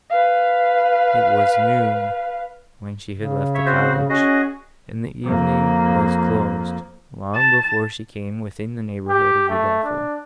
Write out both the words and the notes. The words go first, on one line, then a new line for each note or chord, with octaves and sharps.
It was noon, when she had left the cottage, and the evening was closed, long before she came within the neighbourhood of Udolpho.
B4 F5
C#3
C#5 E5
C4 F#4 C5
C#4 F#4 G#4 D#5
F2 A#3
A5
G4
A3
D4